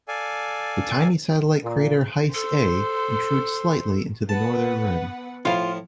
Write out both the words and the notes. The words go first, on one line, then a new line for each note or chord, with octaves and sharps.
The tiny satellite crater Heis A intrudes slightly into the northern rim.
A4 D5 F5 G#5
A#2
A4 C5
B3 B4 F#5 A5
A2 F3 F4 F5